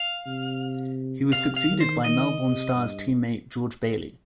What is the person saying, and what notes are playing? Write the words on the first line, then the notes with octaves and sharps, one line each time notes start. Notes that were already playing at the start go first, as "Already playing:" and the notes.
He was succeeded by Melbourne Stars teammate George Bailey.
Already playing: F5
C3
C3 F5
F5
D#3
C5
D#3 D#5
C3
G2